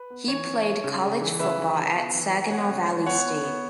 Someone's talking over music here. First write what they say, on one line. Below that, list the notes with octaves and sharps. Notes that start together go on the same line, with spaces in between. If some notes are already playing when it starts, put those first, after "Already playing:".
He played college football at Saginaw Valley State.
Already playing: B4
B3
E3 C#5
E3
G#3
C#3
C#3
E3
C#3 B4 E5
E3
C#3
B3
E3
E3
G#5
B3 C#5 F#5
C#3
E3
B3 C#5 F#5
B3
B3